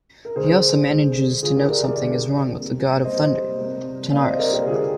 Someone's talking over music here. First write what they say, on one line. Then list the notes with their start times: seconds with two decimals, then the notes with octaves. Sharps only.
He also manages to note something is wrong with the God of Thunder, Tanarus.
0.25 A#4
0.36 D3 G#3 G#4 C5
0.90 D3 G#3
1.42 D3 G#3 F4 G#4
1.57 G4 A#4
1.69 A#4 D5
1.83 A#4 D5
1.96 D3 G#3
2.50 C3 G3 A#3
3.04 C3 G3 A#3 C5 D#5
3.58 C3 G3 A#3
4.11 C3 G3 A#3 D5 F5
4.25 C5 D#5
4.39 A#4 D5
4.52 G4 A#4
4.66 D3 G#3 F4 G#4